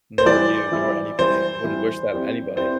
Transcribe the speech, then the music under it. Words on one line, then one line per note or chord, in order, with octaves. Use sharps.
nor you, nor anybody, wouldn't wish that on anybody.
C5
E3 G3 E4 D5
E3 G3 E4
E3 G3 E4 C5
E3 G3 E4
C4 E4 G4 D5
C4 E4 G4 C5 D5